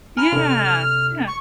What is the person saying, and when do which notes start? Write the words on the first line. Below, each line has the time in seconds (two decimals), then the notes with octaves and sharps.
Yeah, yeah.
0.17 G#5 A#5 B5 F6
0.32 C3 D4 A4
1.27 C#6